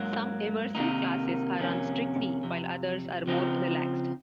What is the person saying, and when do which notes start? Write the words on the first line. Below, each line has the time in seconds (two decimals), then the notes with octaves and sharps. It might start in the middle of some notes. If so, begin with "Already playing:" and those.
Some Emerson classes are run strictly while others are more relaxed.
Already playing: G#2 F#3 A#3
0.75 C3 D#3 A#3 D#4
1.59 F2 C3 D#3 A#3 C#4
2.43 F2 C3
3.27 C#3 F3 C4 D#4